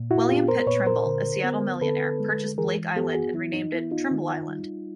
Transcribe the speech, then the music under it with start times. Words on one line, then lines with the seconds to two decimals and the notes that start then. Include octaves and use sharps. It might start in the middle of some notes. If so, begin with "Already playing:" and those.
William Pitt Trimble, a Seattle millionaire, purchased Blake island, and renamed it Trimble Island.
Already playing: A#2
0.11 E4 F#4
0.29 B3 F4 G4
0.48 A#4 C5
0.67 A#2 B4 C#5
0.86 A#4 C5
1.06 D3
1.44 B3
1.82 D3 A4 B4
2.20 G#3
2.58 E3 G#4 A#4
2.96 B3 G4 A4
3.15 F#4 G#4
3.34 E3 E4
3.53 D#4
3.73 B3 E4
3.91 D#4 F4
4.11 D#3
4.48 G3